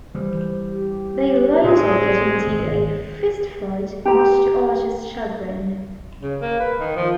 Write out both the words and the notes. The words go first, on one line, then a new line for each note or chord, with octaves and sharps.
They later get into a fistfight, much to Archer's chagrin.
E3 G3 C5
G4
A2 G#3 C4 G#4
G#1
G4 A#5
C#3
A#3
B4
D#3
F3